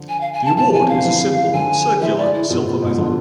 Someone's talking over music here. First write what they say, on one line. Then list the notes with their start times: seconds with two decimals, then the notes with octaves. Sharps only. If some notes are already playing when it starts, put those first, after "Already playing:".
The award is a simple, circular, silver medal.
Already playing: D3 F3
0.09 G#5
0.21 F5
0.33 G#5
0.45 A5
0.57 B2 D3 A5
0.69 C3 E3
0.73 G#5
0.81 C3 E3
0.89 D3 F3 F5
1.05 C3 E3
1.44 E3
1.53 D3 F3 G#5
2.01 E3 G#3 E5
2.17 D5
2.34 E4
2.49 G#2 B2 F4
2.65 A2
2.82 G#2 B2
2.98 B2 D3